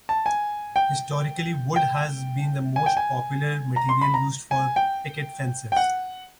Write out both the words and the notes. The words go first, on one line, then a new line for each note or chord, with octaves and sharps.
Historically, wood has been the most popular material used for picket fences.
A5
G#5
G5
G5
G#5
G5
G#5
A#5
C6
B5
A#5
G#5
G5
G5
F#5